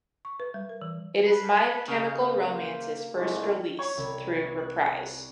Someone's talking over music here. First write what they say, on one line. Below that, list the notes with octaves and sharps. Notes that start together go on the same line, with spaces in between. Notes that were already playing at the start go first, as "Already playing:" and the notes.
It is My Chemical Romance's first release through Reprise.
C#6
B4
G3
A#4
E3
B4 A5 B5
C#3 A#3 D#4 G4
C5
C2 F3 G#3 A3 D4
C#5
C2
F#6